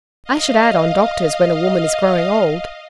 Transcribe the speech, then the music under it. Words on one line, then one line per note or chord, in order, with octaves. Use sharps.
I should add on doctors when a woman is growing old.
D#5 F5